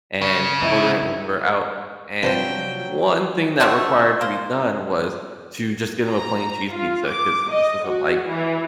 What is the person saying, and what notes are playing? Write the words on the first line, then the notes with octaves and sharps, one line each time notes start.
and ordering it when we're out, and one thing that required to be done was to just get him a plain cheese pizza, 'cause he just doesn't like
C#3
D#4 E4
C3 F3 F#3 D4 B4 C5 G5 A5
F#3 A3 C4 D4
A#3 C5
A#5
F4
D6
D#5
F#4
E3